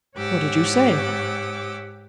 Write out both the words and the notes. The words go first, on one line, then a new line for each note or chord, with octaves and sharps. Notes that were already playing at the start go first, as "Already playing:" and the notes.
"What did you say?"
G#2 G4 C#5 F#5 D6 E6